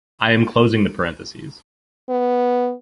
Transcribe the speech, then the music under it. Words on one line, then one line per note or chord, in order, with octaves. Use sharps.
I am closing the parentheses.
B3